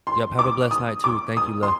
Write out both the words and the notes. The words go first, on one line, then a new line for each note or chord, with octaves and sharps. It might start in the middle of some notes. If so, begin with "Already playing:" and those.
Yep, have a blessed night, too. Thank you, le
C6
D6
D#6
D6
D#6
C6